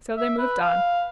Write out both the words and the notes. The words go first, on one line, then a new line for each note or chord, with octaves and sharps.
So they moved on.
E5
B4
F5